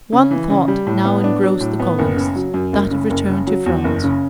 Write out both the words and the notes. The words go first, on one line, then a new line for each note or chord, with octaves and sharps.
One thought now engrossed the colonists, that of return to France.
C#3
E3
C#3
G3
A2
B3
D4
F#3
A2
B3
F#1
C#3
F#3
F#2
F#1
C#3
F#1
C#3
F#3
E2
F#1
C#3